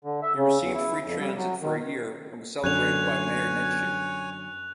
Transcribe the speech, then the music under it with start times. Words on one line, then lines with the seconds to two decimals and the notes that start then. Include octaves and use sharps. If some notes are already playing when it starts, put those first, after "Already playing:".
He received free transit for a year and was celebrated by mayor Nenshi.
0.05 D3
0.22 E5
0.37 C#3
0.62 E2
0.75 E4
1.05 F2
1.19 G3
1.36 F#3
1.61 D#3
2.64 F#2 D3 C#5 G#5 F#6 F7